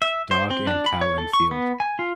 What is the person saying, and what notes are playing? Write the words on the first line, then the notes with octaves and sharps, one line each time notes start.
Dog and cow in field.
E5
C5
C4
D4
B5
C#5
A4
C#6
B3
G#5
F4